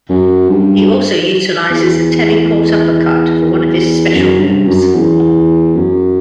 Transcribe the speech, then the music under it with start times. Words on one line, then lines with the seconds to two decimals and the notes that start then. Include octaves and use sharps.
He also utilizes a teleport uppercut for one of his special moves.
0.09 F#2
0.50 G2
1.70 E2
4.14 F#2
4.40 G2
4.67 F#2
4.94 E2
5.75 F#2